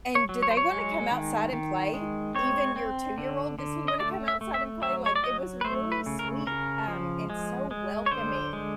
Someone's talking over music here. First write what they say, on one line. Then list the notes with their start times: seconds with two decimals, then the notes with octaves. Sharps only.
And do they wanna come outside and play? Even your two-year-old, does he wanna come outside and play?" Like, it was really sweet, um, and so welcoming
0.15 C#5
0.29 F#3
0.43 C#5
0.51 C5
0.57 C#5
0.71 G#3
1.11 D#3
1.53 D#3
1.94 G#3
2.35 C4 C#5
2.76 C4
3.18 D3
3.59 D3
3.88 D#5
3.99 A3 D5
4.28 E5
4.41 A3
4.54 E5
4.82 F#3 E5
5.06 C#5
5.16 D5
5.23 F#3 D#5
5.61 B4
5.65 A3 C5
5.92 B4
6.06 C#3
6.19 A#4
6.47 C#3 A#4
6.88 F3
7.30 G#3
7.71 G#3
8.06 C#5
8.11 D3 C5
8.53 G#3